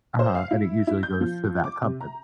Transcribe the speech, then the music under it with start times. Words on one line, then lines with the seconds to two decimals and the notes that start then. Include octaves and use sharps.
Uh-huh. And it usually goes to that company.
0.19 C5
0.35 F5
0.51 E4
0.87 E4
1.03 G6
1.21 F3
1.64 D6
1.84 C3
2.01 A#5